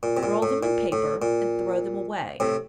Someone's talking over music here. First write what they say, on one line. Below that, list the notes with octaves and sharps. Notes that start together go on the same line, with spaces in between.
Roll them in paper and throw them away.
A#2
C3
A#2
A2
A#2
A2
A#2
A2 C3